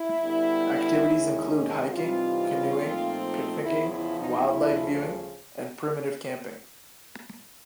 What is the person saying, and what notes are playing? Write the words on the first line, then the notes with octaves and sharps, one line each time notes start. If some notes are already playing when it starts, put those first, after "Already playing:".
Activities include hiking, canoeing, picnicing, wildlife viewing and primitive camping.
Already playing: E4
D3 G3 B3
D#2 D#3 G#3 C#4
C3 E3 G3 C4 D#4 F4
A#2 F3 A3 C4 D#4
E2 C#3 F3 E4
E4
D#4
D2 C#3 F3 E4